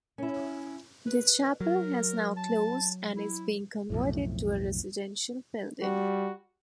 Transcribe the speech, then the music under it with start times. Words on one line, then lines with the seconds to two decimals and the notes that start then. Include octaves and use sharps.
The chapel has now closed and is being converted to a residential building.
0.18 C#4 E4
1.07 B4
1.61 F#3 A#4
2.37 A5
3.16 E4
3.90 B1 F2 A2
5.82 G3 F#4